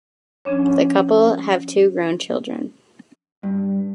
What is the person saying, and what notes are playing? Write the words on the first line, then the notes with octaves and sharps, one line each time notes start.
The couple have two grown children.
F3 C#4 D4 C#5
G2